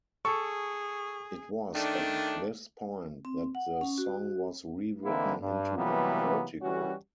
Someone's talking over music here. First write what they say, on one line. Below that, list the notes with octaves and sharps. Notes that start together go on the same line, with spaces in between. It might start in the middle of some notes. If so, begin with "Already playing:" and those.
It was at this point that the song was rewritten into Vertigo.
G#4 A4 C#6
D#3 A3 D4
C4
F#5
C#4
F#4
D3 E3 A#3 C4 D#4 E4
G2
C3 E3 F#3 G3 A#3 B3
E3 G3 C#4 F#4